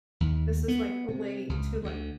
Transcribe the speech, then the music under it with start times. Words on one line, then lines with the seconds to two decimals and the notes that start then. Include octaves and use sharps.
this is, like, a way to, like,
0.20 D#2
0.68 B3
1.08 C3
1.49 C#2
1.84 D2